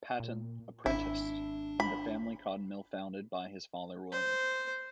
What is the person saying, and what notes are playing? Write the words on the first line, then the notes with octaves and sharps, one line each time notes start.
Patton apprenticed in the family cotton mill founded by his father William.
A#2
G#1 D4 E4
B5
C5